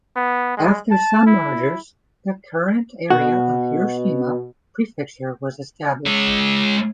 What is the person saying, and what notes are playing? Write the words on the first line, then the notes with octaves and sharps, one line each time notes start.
After some mergers the current area of Hiroshima Prefecture was established.
B3
G#3
A5
E4
B2 F#4
G#3 C#5